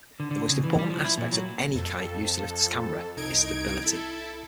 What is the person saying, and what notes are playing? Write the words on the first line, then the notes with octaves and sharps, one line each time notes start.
The most important aspect of any kite used to lift a camera is stability.
D3
D3
C#3
E3
G3
F3
E4
A#2
F#3
F2 A4
C2 D#4 G#6 D7
E4 A4